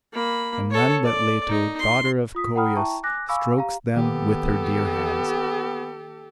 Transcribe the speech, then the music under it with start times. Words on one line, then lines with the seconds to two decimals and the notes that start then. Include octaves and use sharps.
And none but Leto, daughter of Coeus, strokes them with her dear hands.
0.13 A#3 B5
0.71 A4 C#5
1.04 D5
1.49 D#4
1.79 C6
2.35 F4 D#6 B6
2.56 F#5 G5 A#5 B5 D#6 F6
2.76 E4 E5 G5 A5 A#5 C#6
3.03 G#5 D6 F#6 A#6
3.28 F5 G#5 B5 C#6 D6 E6
3.57 G4 F5 A#5
3.96 D#3 A#3 B3 G4 A4